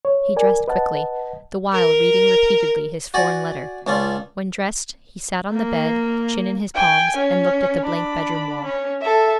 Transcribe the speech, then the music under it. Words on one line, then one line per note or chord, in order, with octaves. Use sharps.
He dressed quickly, the while reading repeatedly his foreign letter. When dressed, he sat on the bed, chin in his palms, and looked at the blank bedroom wall.
C#5
A#4 D5 G#5
B4 D#5 F#5 A5
A#4
F#4 D5 F#5 G#5
C#2 C#4 D4 F4
A#3
G5 G#5
C#4
D4 B5
C#4
A4 E5